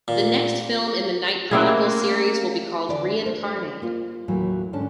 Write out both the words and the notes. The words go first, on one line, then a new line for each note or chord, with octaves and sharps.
The next film in the Night Chronicles series will be called "Reincarnate".
A#2
A3 A#3 C4 C#4 E4 G#4
D3 E3 D5
A#4 C5
A#3 F4
D#2 A2 E3 F#3 A3
G#2 D3 C#4 D4 A5